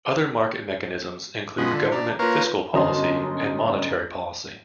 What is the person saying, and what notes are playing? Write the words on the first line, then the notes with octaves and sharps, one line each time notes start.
Other market mechanisms include government fiscal policy and monetary policy.
B2 G#3 F4 B6
D3
D4 A#5
A#3 F4 A#4 B4 C#5
G1 F#2 D#5 C6